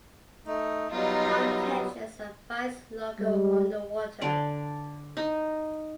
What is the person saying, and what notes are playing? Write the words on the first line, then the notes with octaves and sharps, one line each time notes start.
Bond catches and fights Largo underwater.
A3 D#4
F#3 G3 B3 D#4 F4
G3 G#3
D3 D5
D#4